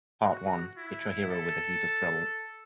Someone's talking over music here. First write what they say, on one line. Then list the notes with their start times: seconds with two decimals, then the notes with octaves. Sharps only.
Part one, hit your hero with a heap of trouble.
0.22 F#4
0.77 E4
1.30 A4